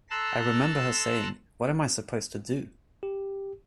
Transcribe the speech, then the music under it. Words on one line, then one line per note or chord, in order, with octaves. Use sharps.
I remember her saying What am I supposed to do?
A4 A5 A#5 C6 E6 F#6
G4